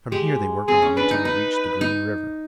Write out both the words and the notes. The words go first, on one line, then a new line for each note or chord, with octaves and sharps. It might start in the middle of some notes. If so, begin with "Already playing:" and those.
From here they worked on until they reached the Green River.
G#3 G4
C4 G#4
C#4
D4 B4
D#4
D#4 B4
D#4